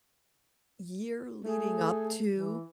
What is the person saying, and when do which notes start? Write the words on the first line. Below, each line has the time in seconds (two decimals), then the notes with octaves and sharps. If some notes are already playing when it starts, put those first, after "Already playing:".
year leading up to,
1.44 A3 G#4
2.34 E3